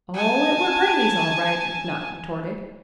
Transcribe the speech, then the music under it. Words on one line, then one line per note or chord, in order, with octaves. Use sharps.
"Oh, it were Brayley's, all right," McNutt retorted.
G#5 A5